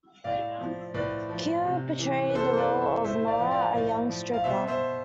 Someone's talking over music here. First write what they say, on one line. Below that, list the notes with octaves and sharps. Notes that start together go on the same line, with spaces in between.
Keough portrayed the role of Nora, a young stripper.
A2 D5 F5
F3
A2 B4 D5
F3
C3
E3
B4
C3 A4 C5
C5
B4 D5
E3
C5 E5
A2 C5 E5
D5 F5
F3
D5 F5
A2
F3
F5
B2 C5 E5
C5 E5